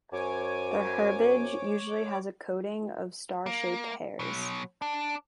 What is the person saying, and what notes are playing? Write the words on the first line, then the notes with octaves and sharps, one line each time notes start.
The herbage usually has a coating of star-shaped hairs.
F#2 C5 C#5 G#5 D6
A#3
B2 F#3
D4